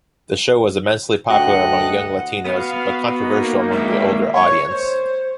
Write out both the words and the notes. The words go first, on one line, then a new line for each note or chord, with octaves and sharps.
The show was immensely popular among young Latinos, but controversial among the older audience.
D2 F#4 D#5 F#5 G5 F#6
B3 F#4 F5
A#3 D#4
G#2 D#3 E5
C#5
C5